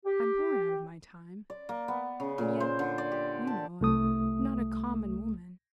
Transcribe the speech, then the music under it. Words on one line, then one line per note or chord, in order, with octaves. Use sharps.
I'm born out of my time. And yet, you know, I'm not a COMMON woman.
G4
D5
A#3
B3
C#3
A#2
C5
D3
D5
G4
A5
C2 A3 D#6